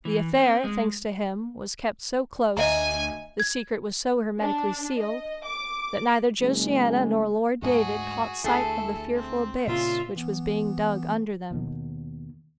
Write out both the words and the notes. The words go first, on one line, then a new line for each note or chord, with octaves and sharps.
The affair, thanks to him, was kept so close, the secret was so hermetically sealed, that neither Josiana nor Lord David caught sight of the fearful abyss which was being dug under them.
E3
C4
G#3
D2 D#5 E5 G#5 A#5
G#6
D4
D#5
D6
F#1 G#3
D2 G#2 A3 F#4 G#4
D2 A3 E4 G#4 A4
C4
A#2 C#3 F4 E5
E3 B3
D#2 B2 D#3